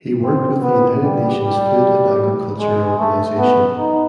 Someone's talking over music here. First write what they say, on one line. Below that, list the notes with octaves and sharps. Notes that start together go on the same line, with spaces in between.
He worked with the United Nations Food and Agriculture Organization.
C4
B3
G3
G3
G#3
A3
B3
D#4